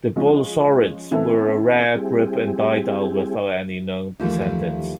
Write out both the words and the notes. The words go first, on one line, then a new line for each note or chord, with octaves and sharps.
The bolosaurids were a rare group and died out without any known descendants.
F3 G#3 C#4
C#3 E3 B3 C4 E4 A4
G3 C4 E4 G4 G#4
D#2 E3 F3 G3 A3